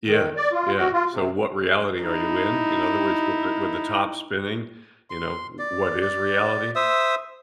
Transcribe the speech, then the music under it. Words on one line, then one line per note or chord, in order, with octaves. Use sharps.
Yes, yeah. So what reality are you in? In other words, with the with the top spinning, you know, w what is reality?
D#3
D5
F4
F#4
F4
C3
D#4 E4
C6
D5
D5
C5 E5 D#6 E6